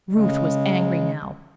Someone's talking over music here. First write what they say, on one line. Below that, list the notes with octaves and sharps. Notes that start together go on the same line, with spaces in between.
Ruth was angry now.
C#3 G#3